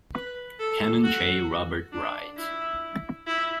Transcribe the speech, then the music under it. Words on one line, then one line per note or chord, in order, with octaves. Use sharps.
Canon J. Robert Wright.
B4
A4
F#4
D4
E4
E4